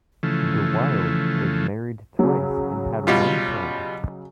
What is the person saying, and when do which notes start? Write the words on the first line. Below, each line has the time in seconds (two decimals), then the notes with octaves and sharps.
DeWilde was married twice and had one son.
0.23 C#3 E3 F3 A3
2.19 C#3 F#3
3.07 B2 G3 F4